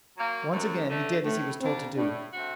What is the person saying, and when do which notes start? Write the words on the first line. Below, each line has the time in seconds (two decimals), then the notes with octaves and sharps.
Once again he did as he was told to do.
0.17 F#3 A#3
0.53 F#2
0.88 D3 A3
1.25 A2 A3
1.61 G3 A#3 C4 D4
1.97 A2 D4
2.32 A3 C4 F#4